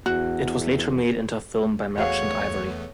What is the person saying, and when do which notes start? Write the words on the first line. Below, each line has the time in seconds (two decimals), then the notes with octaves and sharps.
It was later made into a film by Merchant Ivory.
0.06 E2 F#4
1.98 E2 A3 B3 F#4 G#4 C#5 F5